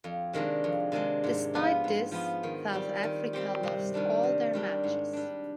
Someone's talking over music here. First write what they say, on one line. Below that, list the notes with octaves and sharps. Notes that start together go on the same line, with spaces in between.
Despite this, South Africa lost all their matches.
F2
C3 D#3 G#3 D4
F2
C3 D#3 G#3 D4
G#2
F3 B3 F4
G#2
F3 B3 F4
D#3
G3 C4 G4
D#3
G3 C4 G4
C3
D#3 G3 D4
C3
D#3 G3 D4
G#2
G3 D4